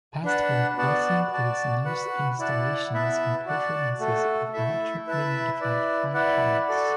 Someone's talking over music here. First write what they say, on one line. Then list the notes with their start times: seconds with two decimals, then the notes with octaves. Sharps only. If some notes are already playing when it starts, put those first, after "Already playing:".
Past work also includes noise installations and performances with electrically modified file cabinets.
0.24 D4 B4 F#5 A5
0.77 B3 F#4 D5 F#5 A5
1.31 F#4 D5 A5
1.85 F#4 B4 F#5
2.39 E4 D5 F#5 A5
2.92 B3 E4 B4 E5 A5
3.46 F#4 D5 F#5 A5
3.99 A3 F#4 A4
4.53 A3 E4 A4 E5
5.07 E4 B4 E5 A5
5.60 E4 B4 D5
6.14 E4 B4 D5 F#5
6.68 F#4 A4 D5